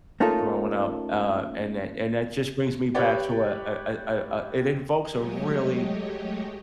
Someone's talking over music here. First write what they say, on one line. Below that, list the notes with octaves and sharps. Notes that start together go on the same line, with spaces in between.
growing up, uh, and that and that just brings me back to a a a a a it invokes a really,
A3 A#3 C#4 D#4 F4 A4
G4 B4 C#5 D5 G5
F#3 G#3 A3 G4 C#5 D#5